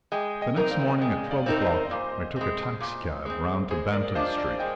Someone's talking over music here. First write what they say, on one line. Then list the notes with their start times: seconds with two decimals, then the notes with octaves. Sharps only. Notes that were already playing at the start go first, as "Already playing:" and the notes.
The next morning at twelve o'clock I took a taxi-cab round to Banton Street.
0.12 G#3 D#5 G5
0.41 D#5 G5
0.56 C4 D#4 A#4
0.71 D5 F5
1.01 G#3 D#5 G5
1.31 D5 F5
1.46 C4 D#4 A#4
1.61 C5 D#5
1.91 A#2
2.36 G#3 C4
2.80 A#2
3.26 G#3 C4
3.70 G#3 G#4 C5
3.92 A#4 D5
4.15 D4 F4 C5 D#5
4.38 D5 F5
4.60 G#3 D#5 G5